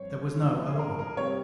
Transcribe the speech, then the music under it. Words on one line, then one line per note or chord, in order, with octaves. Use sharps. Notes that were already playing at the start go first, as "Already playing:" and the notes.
There was no alarm.
Already playing: G2 F3 C4 C5 C#5
G#2 F3 A#3
G#4
A#4
A#4
C3 G3 C4 C#5